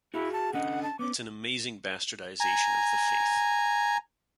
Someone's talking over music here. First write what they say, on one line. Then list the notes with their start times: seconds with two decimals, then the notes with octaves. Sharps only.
It's an amazing bastardization of the faith.
0.14 E4 F#4 G#4 F5
0.33 A5
0.53 D3 C#4 D#5 F#5
0.83 A5
0.99 B3 C#4 D6
2.40 G#5 A#5